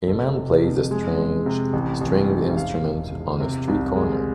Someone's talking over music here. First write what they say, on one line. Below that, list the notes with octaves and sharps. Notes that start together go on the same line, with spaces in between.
A man plays a strange stringed instrument on a street corner.
F1 A4
C3
F2
G#3
G#3
C3
A1
A1
G#2
E5
E1 F5
E1
E1
C3
C2
G#3